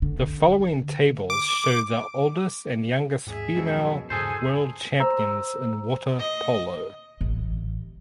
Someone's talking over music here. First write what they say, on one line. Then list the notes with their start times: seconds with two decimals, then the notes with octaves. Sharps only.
The following tables show the oldest and youngest female world champions in water polo.
0.02 D3
1.30 D6
3.27 D#2 G#2 G#4 E5
3.56 F#2 B2 F3 F#3 G#3
4.10 E2 G#2 C#3 G#4 A4 C5 G#5
5.00 C5 A#5 E6
6.19 D#5
7.21 A1